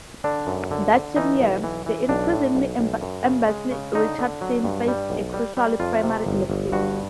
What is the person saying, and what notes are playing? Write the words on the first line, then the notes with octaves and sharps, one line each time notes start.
That same year, the increasingly embattled Richardson faced a crucial primary election.
D3 D4
F#2
D3
D3
E3 D#4
B1
E3
E3
B1 D4
A2
B1
B1
F#2
C#3
G#3
C#3
D3 D#4
D3
F#3
G2
G3
B1
G3
G3
F2 F4
C3
G1
G1
G2 F#4